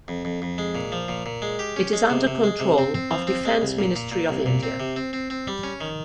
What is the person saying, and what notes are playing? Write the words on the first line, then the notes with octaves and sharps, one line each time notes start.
It is under control of Defence Ministry of India.
F2
F2
F2
G#3
A#2
F3
A#2
A#2
G#3
G4
C#4
G#3
C3
C3
G#3
C3
C4
C4
F3
C4
G#3
C2
A#2
A#2
A#2
C2
A#2
C4
C3
C4
C4
C4
G3
C#4
D#3